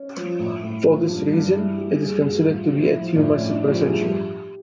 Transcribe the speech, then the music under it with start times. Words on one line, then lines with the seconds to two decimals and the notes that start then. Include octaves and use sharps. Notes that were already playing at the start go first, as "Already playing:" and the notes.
For this reason, it is considered to be a tumor suppressor gene.
Already playing: C#4
0.17 F3
0.39 A2
0.63 A2
0.86 F3
1.09 G2
1.33 G2
1.55 E3
1.78 G3
1.95 G#4
2.01 G2
2.13 G#4
2.24 G2
2.30 F#4
2.47 A2 F4
2.64 F#4
2.70 F3
2.82 E4
2.93 F3
2.99 E4
3.16 A2 D4
3.33 C#4
3.39 A2
3.51 D4
3.62 F3
3.68 G4
3.80 G#4
3.85 G2 G4